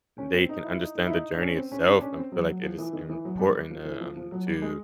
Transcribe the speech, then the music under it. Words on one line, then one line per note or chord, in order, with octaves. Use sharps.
they can understand the journey itself. I feel like it is important to, um, to
C#4
C4
D#4
E4
D#4
D#4
E4
D#4
D4
C#4
C4
C#4
D4
C#4
C4
F#3
F#3
F3
E3
D#3
E3
F#3
G3
F3
E3
F3
F3
F#3
G3
G#3